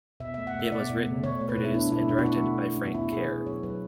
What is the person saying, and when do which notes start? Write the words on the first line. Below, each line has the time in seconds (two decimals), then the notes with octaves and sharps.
It was written, produced and directed by Frank Kerr.
0.20 B2 E5
0.34 A3 E5
0.47 F#5
0.55 A3 E5
0.72 B2 D5
0.90 B2
1.06 A3
1.23 B2 C#5
1.41 A3
1.49 B4
1.58 B2
1.65 E4
1.74 A3 D4
1.92 B2 E4
2.09 B2 D4
2.18 F#4
2.26 A3 E4
2.43 A3
2.61 A3
2.77 B2 C#4
2.86 F#4
2.94 B2 E4
3.12 B2 G#4
3.28 B2 B4
3.46 F#3 C#5
3.63 F#3 B4